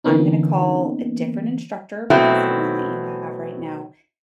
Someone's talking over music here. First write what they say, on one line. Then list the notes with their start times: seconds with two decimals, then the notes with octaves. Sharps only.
I'm gonna call a different instructor because the one that you have right now
0.04 D3 E3 A#3 B3 C#4 D#4
2.10 B2 F#3 A3 C4 E4